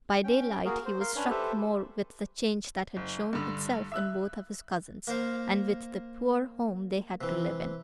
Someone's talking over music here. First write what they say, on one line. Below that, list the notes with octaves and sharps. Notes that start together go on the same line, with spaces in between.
By daylight he was struck more with the change that had shown itself in both of his cousins, and with the poor home they had to live in.
C#4 G5
A#3 F#4 G#4 A#4
C5
A#4 F5 C6
C#4 D4 B4 C#5
G4 A4 B4 C5 E5
F#1
G2 D3
E5 E6 F#6
A#3 A#4 C5 F5
C3 E3